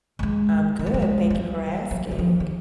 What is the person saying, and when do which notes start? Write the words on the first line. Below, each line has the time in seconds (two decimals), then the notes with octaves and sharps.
I'm good, thank you for asking.
0.19 G3
0.23 G#3
0.79 A3
0.86 G#3
0.94 G3
1.02 G#3
1.30 F#3
1.35 G3
1.91 F#3
2.11 E3
2.19 F3
2.40 D#3